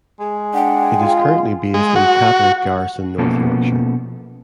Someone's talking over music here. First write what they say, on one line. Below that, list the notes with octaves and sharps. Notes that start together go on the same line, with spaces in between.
It is currently based in Catterick Garrison North Yorkshire.
G#3
D4 F#5 G5
F4
G#3
F#4
B2 F3 A#3 B3 C#4 A4